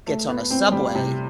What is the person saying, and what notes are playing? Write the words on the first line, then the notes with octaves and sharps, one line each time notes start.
gets on a subway
A3
B3
C4
G3
C3